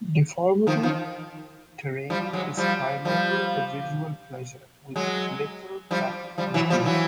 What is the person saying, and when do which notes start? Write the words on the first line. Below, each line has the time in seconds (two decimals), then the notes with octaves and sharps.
Deformable terrain is primarily a visual pleasure, with little practical use.
0.67 D#3 F3
0.83 D#3 F3
2.10 F3 G3
2.33 F#3 G#3
2.57 F3 G3
3.05 F3 G3
4.96 F#3 G#3
5.91 F3 G3
6.38 F3 G3
6.54 E3 F#3
6.70 F3 G3
6.85 E3 F#3